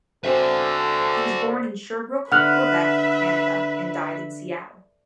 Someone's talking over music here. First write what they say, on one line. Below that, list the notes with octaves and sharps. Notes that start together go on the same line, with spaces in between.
He was born in Sherbrooke, Quebec, Canada and died in Seattle.
D3 C4 F#4 A4 E5
D3 B4 E5 F#5 F6 F#6